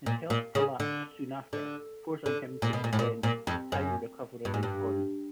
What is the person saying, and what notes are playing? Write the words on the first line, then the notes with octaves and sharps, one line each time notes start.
His health collapsed soon after, forcing him to spend time recovering in Cornwall.
A#2
A#2
C#3
D3
D3
D3
A#2
B2
A#2
A2
A#2
A#2
F2
F#2
G2
G#2
G2